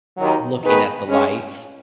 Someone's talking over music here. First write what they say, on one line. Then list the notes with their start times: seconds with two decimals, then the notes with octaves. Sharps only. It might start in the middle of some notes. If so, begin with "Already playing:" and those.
looking at the lights
0.17 D#2 D#3 F#3
0.63 D#3 B3 D#4 G#4 B4
1.08 C#3 G#3 C#4